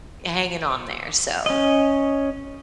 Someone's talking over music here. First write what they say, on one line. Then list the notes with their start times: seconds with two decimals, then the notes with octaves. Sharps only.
hanging on there. So
1.46 C#4 D#5